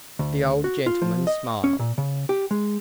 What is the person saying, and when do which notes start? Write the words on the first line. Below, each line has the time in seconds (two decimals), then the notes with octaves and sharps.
The old gentleman smiled.
0.19 D2
0.64 F#4
0.86 F4
1.02 F3
1.27 D#5
1.64 C#4
1.79 A#2
1.98 C#3
2.29 G4
2.51 G#3